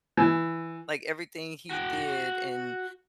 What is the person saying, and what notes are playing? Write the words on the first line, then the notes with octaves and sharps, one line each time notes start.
like, everything he did and,
E3
F#4 G5